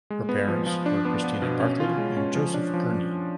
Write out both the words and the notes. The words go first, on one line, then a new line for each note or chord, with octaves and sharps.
Her parents were Christiana Barclay and Joseph Gurney.
G#3
B3
F3
F3
D4
B3
B3
B2
C#4
F4
G#3
C#4
F3
D4
F3